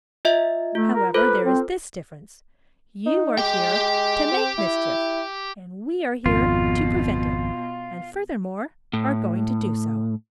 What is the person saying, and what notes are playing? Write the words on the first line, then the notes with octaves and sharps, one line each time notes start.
"However, there is this difference. You are here to make mischief and we are here to prevent it, and, furthermore, are going to do so."
F4 D#5 E5
A3 F4
A#4
F4 A4 B4 C5
C4
D#4
G#3 G4 G5
C4
E4
G#1 F2 B2 F4
A2